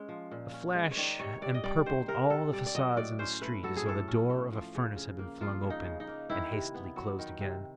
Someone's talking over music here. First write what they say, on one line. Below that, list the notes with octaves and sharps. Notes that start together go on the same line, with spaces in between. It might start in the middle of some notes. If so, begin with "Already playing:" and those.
A flash empurpled all the facades in the street as though the door of a furnace had been flung open, and hastily closed again.
Already playing: G#3 C#4
F3
A#2
C#4
G#3
C#5
D#3 D5
C3 C#5
C3 D5
D#5
G3 D5
D#3 C5
C3 A#4
C3 A4
G3 D5
D5
F#3 D#5
A2 D5
C#4 C5
A3 B4
F#3 A4
G#4
A2 A4
C#4
A3
F3
C#3
C#3
A#3
F3 F4
C#3
D#4
C#3
D#4
A#3
D#3 E4
C3
B3
F#3
D#3
C3